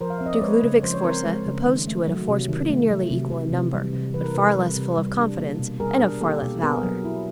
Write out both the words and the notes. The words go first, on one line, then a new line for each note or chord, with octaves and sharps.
Duke Ludovic Sforza opposed to it a force pretty nearly equal in number, but far less full of confidence and of far less valor.
F3 A#4 C5
F5
C4 E5
D#5
D5
G#3 B4 C#5
C#3
F3 C5
C#5
C4 A#4 C5
G#3
C#3
D#3
A3
F#3
C3
D#3
A3
F#3
C3
E3
C3
G3
C3
E3 B4
A#4
C3 A4 B4
G3
C3
G3
D4
A#3
B2
G3 G#4 A#4
D4
A#3 G4 A4
B2
B3 G#4 A#4
F#3
E4